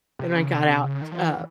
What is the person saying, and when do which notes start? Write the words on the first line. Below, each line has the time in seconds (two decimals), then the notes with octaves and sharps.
Then I got out, uh,
0.19 C3
0.35 C#3
0.52 C3
0.68 C3
0.84 C#3
1.02 D#3
1.12 F3
1.18 E3